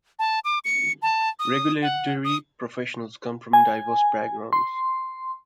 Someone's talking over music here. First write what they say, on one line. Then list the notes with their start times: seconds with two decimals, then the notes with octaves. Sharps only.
Regulatory professionals come from diverse backgrounds.
0.19 A5
0.45 D6
0.65 C#7
1.02 A5
1.39 D#6
1.82 F#5
2.25 D#6
3.53 G#5
4.53 C6